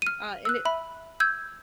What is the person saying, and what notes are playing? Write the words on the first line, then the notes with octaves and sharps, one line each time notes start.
Uh, and it
F6 D#7
E6 F#6
E5 B5
E6 G6 G#6